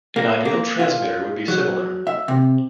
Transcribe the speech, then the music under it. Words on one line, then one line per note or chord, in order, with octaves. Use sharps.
An ideal transmitter would be similar.
A#3
A#3
F4
F#3
E5
C3